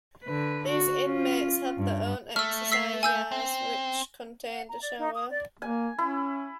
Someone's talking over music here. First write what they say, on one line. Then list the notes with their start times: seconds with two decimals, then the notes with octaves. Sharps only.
These inmates had their own exercise yards, which contained a shower.
0.25 D3 B4
0.68 F#4
1.05 C#4 F4
1.78 G2
2.36 A3 E6 F6
2.72 E6 B6 C7
3.03 G#5 E6 G6
3.31 C4
4.50 F#5
4.69 A#5
4.80 D5
4.99 D#4
5.15 D#6
5.30 D5
5.62 A#3 G#5
5.98 C#4 E4